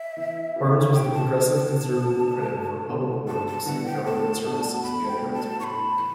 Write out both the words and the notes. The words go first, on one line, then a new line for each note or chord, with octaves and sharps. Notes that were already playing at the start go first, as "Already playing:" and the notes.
Barnes was the Progressive Conservative critic for Public Works and Government Services, and Transport.
Already playing: E5
E3
B3 E4 G4
E3 G5
A5
B3 D4
A5
E3
B3 D4
G2
D3 G3 B3 E4
G2 A5
A5
D3 G3 B3 E4 F#5
G5
E2 A5
B2 A3 D4 F#4
E2 B5
G5
B2 A3 D4 F#4
A5
A2 B5 C#6
E3